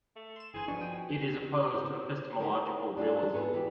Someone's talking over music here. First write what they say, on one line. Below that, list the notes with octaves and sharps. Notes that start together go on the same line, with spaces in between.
It is opposed to epistemological realism.
A3
C6 E7
G1 E3 G#4 C5 G#5
B2 F3 D4 C#6
G5
C5
G4 G#4 A#4 C5 D#5
D4 F4 G#4 A4
B3 F#4 G#4 B4
E3 G4